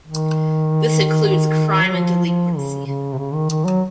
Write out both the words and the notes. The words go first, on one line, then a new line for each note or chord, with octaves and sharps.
This includes crime and delinquency.
D#3
F#3
F3
F3
C#3
C#3
C3
C#3
D#3
D#3
F#3